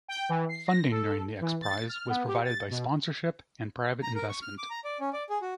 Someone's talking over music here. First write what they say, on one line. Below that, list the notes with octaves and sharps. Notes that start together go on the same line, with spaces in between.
Funding during the X-Prize was provided by sponsorship and private investment.
G5
E3
C7
A#6
A4
E3
A6
F6
B3
G4
A6
B2
A#5
A#4
C#6
F6
D6
A#5
D5
C#4
D5
G#4
F#4